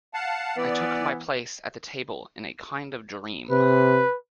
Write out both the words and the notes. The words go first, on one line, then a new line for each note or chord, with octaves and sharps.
I took my place at the table in a kind of dream.
F5 F#5 A5
E3 B3 D5
C3 B4